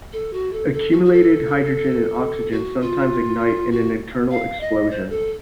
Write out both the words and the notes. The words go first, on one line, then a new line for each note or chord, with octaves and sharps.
Accumulated hydrogen and oxygen sometimes ignite in an internal explosion.
A4
F#4
A4
A4
F#4
F#4
A4
F#4
F4
F#4
F5
D#5
C5
A4